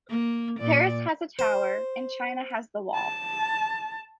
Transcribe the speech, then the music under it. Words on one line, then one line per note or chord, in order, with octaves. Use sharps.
Paris has the tower and China has the wall.
A#3
A#2 D5
C5
A5